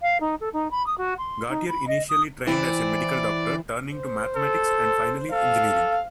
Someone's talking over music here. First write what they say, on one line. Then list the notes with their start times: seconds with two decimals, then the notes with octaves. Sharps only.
Gautier initially trained as a medical doctor, turning to mathematics and finally engineering.
0.02 F5
0.20 D#4
0.40 A4
0.53 D#4
0.71 B5
0.86 D#6
0.98 F#4
1.18 C6
1.49 D#4
1.68 B5
1.87 D#5
2.09 D#6
2.47 E3 C4 E4 D5
3.96 C5
4.35 A4
5.32 A4 F5